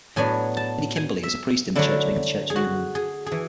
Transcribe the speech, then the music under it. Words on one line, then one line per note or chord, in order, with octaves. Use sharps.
Lady Kimberley is a priest in the Church of England.
A2 F#3 B3 D4 G#5
A5
G#5
E5
D3 F#3 A3 D4 E4
G#4
F#4
G#4
G#4
E3